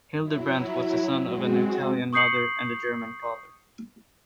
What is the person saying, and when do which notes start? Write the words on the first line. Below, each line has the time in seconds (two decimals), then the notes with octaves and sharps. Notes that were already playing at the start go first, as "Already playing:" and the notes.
Hildebrandt was the son of an Italian mother and a German father.
0.21 F#3 E4
1.23 G#3 C4 F#4
2.13 C#6 D#6 G6 C7 C#7 F#7